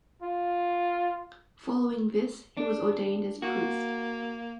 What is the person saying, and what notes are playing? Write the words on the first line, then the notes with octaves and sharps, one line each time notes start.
Following this, he was ordained as priest.
F4
D4
A#3 F#4